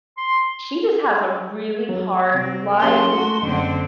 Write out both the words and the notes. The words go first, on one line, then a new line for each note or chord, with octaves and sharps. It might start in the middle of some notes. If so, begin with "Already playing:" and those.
she just has a really hard life,
C6
F#3
C3 C4
F#3 A#3 C#4 G4 C6
A3 F#4
F#1 D3 C4